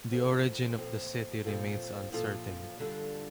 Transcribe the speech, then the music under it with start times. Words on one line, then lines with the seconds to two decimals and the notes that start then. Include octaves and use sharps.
The origin of the city remains uncertain.
0.11 A#2 F3 C4 F4 A4
0.77 A#2 F3 C4 F4 A4
1.45 A#2 F3 C4 F4 A4
2.12 A#2 F3 C4 F4 A4
2.79 D3 G3 D4 F4 A4